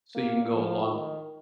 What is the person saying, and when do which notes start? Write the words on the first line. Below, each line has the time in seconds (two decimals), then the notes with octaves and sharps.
So you can go a long
0.15 A#3
0.53 F3
0.92 D#3